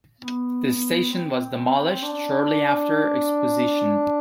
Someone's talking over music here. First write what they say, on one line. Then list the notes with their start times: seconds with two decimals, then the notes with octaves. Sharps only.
The station was demolished shortly after the Exposition.
0.21 B3
1.11 C4
2.02 D4